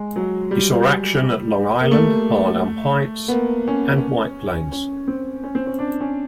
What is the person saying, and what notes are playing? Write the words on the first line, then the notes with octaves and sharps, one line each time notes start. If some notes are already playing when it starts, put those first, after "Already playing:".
He saw action at Long Island, Harlem Heights, and White Plains.
Already playing: G#3
F#3
G3
A#3
A3
B3
A#3
C#4
C#4
C4
C#4
C4
C#4
D4
C#4